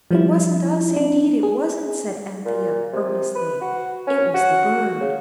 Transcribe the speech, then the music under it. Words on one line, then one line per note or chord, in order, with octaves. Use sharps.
'It wasn't us, indeed it wasn't,' said Anthea, earnestly; 'it was the bird.'
F3 G3 E4
D4
G#4
A#2
C3
B4
F#4
C#4
F#4
C#3